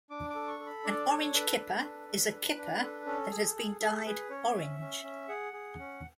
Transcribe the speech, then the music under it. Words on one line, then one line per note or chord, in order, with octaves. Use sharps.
An "orange kipper" is a kipper that has been dyed orange.
D4 D6
D6
A4
C#6
A4
B5
D4 D5
A4 C#5
A4 B4
D4
A4
D4
D4
D4
A4
C#4 A4
G#4
G#4
G#4 A4
G#4 B4
C#4 C#5
C#4 E5
C#4
C#4
G#4 F#5
G#4
C#4